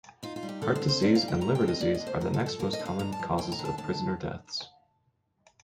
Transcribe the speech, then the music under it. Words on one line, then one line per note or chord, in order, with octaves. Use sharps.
Heart disease and liver disease are the next most common causes of prisoner deaths.
D#4 F4
F4
G3
G4
D3 A4
C5
C4
C5
D#4 D5
F5
G3
G5
D3 A#5
G5
C4
D#5
A#3 D5
D#5
D3
C5
G2 A#4
A4
F3
A4
A#3 A#4
D#5
D3
F5
G2 A#5
A5
F3
D#2 G5
A#5
D3
A5
D#2 A5